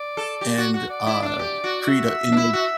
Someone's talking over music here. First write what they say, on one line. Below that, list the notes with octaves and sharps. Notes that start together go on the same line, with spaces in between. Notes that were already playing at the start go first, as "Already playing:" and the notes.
and, uh, create a image
Already playing: D5
A4
G4
F#4
F#4
D5
E4
D4
G4
F#4
D5
E5
D4
E4
F#4